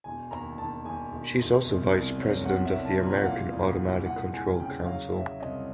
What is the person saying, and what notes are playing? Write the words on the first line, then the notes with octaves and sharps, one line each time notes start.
She is also vice president of the American Automatic Control Council.
E1 G#5
D#2 A#5
E1 A5
E1 G#5
E1
E1
C2
C2
F#3
C2 F#5
E5
C2
A5
A#2
A#5
F#5
E3 F5
E2
E3
E3 F#5
E2 G#5
C#3 G5
F#3 F5
F#3 E5
C2 D#5